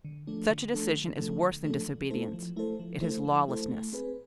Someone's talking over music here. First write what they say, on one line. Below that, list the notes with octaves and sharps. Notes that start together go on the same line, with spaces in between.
Such a decision is worse than disobedience--it is lawlessness.
D3
F3 A3 D4 A4
D3
F3 A3 D4 A4
D3
F3 A3 D4 A4
D3
F3 A3 D4 A4
F3
A3 E4 A4 C5
F3
A3 E4 A4 C5
F3
A3 E4 A4 C5
F3
A3 E4 A4 C5
A3
C4 G#4 B4